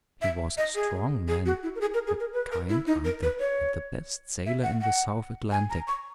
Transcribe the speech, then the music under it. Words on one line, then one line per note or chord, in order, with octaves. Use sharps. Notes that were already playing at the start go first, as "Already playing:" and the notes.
He was a strong man, a kind uncle and the best sailor in the South Atlantic.
E5
D#5
G#4
G#4
F#4
E4
A#4
G#4
A#4
G#4
A#4
B4
A#4
E4
D#4
A#4
B4
C#5
E5
F#5
F#5
G#5
A#5
C#6